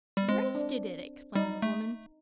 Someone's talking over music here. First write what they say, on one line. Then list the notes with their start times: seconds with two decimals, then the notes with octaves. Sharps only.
'Roasted it!' explained the woman.
0.17 G3
0.29 G#3 C4
0.55 D4
1.35 G3 D#4
1.62 A3